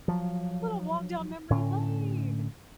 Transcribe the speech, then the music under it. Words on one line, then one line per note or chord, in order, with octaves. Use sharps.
Little walk down memory lane.
F3 F#3
A2 D3 C#4